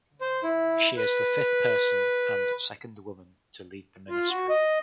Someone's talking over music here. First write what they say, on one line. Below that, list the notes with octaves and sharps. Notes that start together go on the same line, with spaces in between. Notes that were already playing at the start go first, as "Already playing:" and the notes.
She is the fifth person and second woman to lead the Ministry.
C5
E4
B4
F4
F#4
D#5